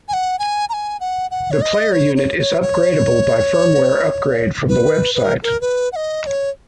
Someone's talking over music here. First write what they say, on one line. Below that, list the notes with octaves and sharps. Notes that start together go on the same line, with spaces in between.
The player unit is upgradeable by firmware upgrade from the website.
G#5
F#5
G#5
A#5
G#5
F#5
F#5
C#5
D#5
C#5
C#5
C#5
C#5
B4
B4
A#4
A#4
B4
F#5
D#5
D#5
C#5